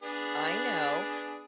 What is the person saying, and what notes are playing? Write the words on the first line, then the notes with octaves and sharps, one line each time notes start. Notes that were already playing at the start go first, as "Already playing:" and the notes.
I know,
B3 D4 G#4